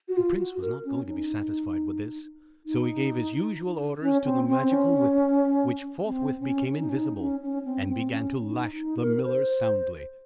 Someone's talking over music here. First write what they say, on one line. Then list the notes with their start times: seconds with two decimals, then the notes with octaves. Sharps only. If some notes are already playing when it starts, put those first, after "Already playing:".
The prince was not going to be satisfied with this; so he gave his usual orders to the Magical Whip, which forthwith became invisible, and began to lash the miller soundly.
0.08 F#4
0.17 F4
0.39 F#4
0.61 A#4
0.85 C#4
1.07 D#4
2.66 D#4
4.02 C#4
4.25 C4
4.48 C4
4.70 C#4
6.07 C4
6.40 C#4
6.75 D#4
6.89 C#4
6.97 D#4
7.20 C#4
7.43 C#4
7.65 C4
7.88 C4
8.11 C#4
8.45 D#4
8.79 D#4
9.02 A#4
9.17 A#4
9.24 C5